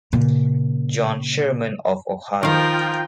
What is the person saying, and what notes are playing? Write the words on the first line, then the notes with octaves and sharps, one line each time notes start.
John Sherman of Ohio.
A#2 C#3
D#3 F3 D#4 F4 A#4 F5 G5